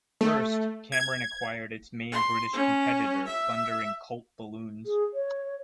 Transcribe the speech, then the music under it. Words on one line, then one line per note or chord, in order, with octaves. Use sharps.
First, Cameron acquired its main British competitor Thunder and Colt Balloons.
A3
G#6
C6
C#4
E5
G#4
C#5